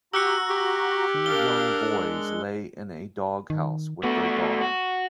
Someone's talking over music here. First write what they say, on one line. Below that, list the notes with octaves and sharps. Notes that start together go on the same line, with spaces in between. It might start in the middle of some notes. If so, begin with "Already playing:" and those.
Two youn boys lay in a dog house with their dog.
F#4 G4 A#5 E6 F#6 C#7
G4
D4 A#4 F5 G7
G#3
D#3
A3 B3 F#4
F#4